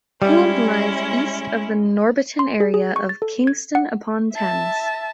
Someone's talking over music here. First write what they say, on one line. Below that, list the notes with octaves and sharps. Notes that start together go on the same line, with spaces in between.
Coombe lies east of the Norbiton area of Kingston upon Thames.
G3 G#3 C#4 E4
C6
G#4
G#4
C#6
A6
A4
G#6
F#5
E5 A5